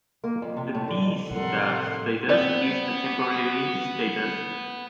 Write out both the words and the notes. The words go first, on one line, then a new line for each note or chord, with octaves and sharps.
The Be star status is a temporary status.
A#3
F2
C3
A2
D3
F2
A2 C3 F3 G3 A4 A#4 F#5 C6
B3 C4 C5 D5